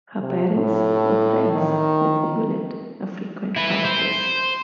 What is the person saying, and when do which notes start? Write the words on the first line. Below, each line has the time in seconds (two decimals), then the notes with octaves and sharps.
Her parents were friends with Hulett, a frequent house guest.
0.20 C3
0.53 A2
1.53 D#3
3.56 E4 B4
3.85 C5